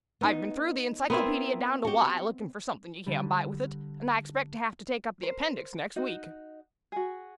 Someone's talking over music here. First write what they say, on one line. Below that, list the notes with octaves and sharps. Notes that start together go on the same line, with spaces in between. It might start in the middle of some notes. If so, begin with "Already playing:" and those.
I've been through the encyclopaedia down to Y looking for something you can't buy with it; and I expect to have to take up the appendix next week.
B3 D#4
B3 C4 E4 A#4
F#4 G4
D3 G3
A#4 C5
D#4 F#4 D#5
F#4 G#4